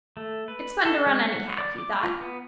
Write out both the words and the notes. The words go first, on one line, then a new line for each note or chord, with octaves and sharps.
"It's fun to run, anyhow," he thought.
A3
B4
A4
G#3
F#5
D5
D6
F4
B3